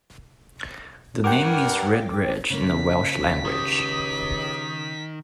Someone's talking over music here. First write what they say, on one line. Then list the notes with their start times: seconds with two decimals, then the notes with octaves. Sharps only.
The name means 'red ridge' in the Welsh language.
1.24 G2 A#4 F#5 G5 D6
2.50 C#3 A#3 B6
3.45 C#2 D#3 G4 D#6